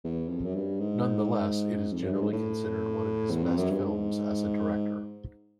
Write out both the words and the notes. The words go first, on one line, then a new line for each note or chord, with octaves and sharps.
Nonetheless, it is generally considered one of his best films as a director.
E2
F2
F#2
G2
G#2
F2
F#2
G2
G#2
A2
E2
F2
F#2
G2
G#2